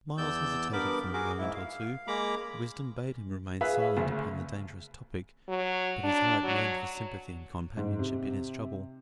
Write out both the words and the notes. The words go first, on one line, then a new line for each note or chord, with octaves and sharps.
Myles hesitated for a moment or two; wisdom bade him remain silent upon the dangerous topic, but his heart yearned for sympathy and companionship in his trouble.
E2 D5 E6 G6
G2 B3 A#4 B5 D6
F#4 G#4 A#4 D6
G#2 E4
F5
G#3 A#3 A#5 B5 D6
G#4 B4 E5 F5
F#1 D2
F#3
D4
F#3
G#2
C3